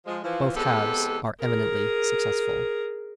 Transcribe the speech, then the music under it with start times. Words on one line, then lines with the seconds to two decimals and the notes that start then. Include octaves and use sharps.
Both halves are eminently successful.
0.06 F3 G#3
0.23 E3 F3
0.55 E2 C3 G#3 B3 G4 A4
1.40 G#4 A#4